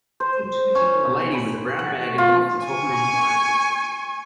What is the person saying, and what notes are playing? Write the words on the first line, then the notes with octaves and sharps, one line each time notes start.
A lady with a brown bag and coffee talking on the phone.
C5
C#4
B5
F#5
F4
G#5 C#6